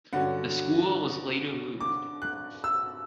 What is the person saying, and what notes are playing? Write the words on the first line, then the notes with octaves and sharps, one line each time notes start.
The school was later moved.
G2 D3 F#3 C#4 F#5
D6
F#6
E6